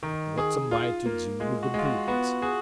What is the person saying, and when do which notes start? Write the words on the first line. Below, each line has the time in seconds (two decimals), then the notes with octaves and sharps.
"But what am I to do with the brute?"
0.03 D#3 D#4
0.38 G#4
0.71 F4
1.06 A#3
1.40 G#3 F4
1.63 F#4
1.74 G#3 F4
1.85 F#4
2.08 B3 F#4
2.42 F#4 G#4